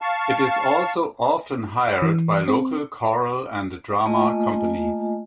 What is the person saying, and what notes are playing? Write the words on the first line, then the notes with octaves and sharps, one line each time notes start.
It is also often hired by local choral and drama companies.
F5 A5 C#6
E3
C4
A3 A#3 F4 D#5 G#5